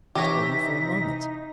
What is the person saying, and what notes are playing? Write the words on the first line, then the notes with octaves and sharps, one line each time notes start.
But only for a moment.
C3 E3 D#4 G4 C#5 E5 A#6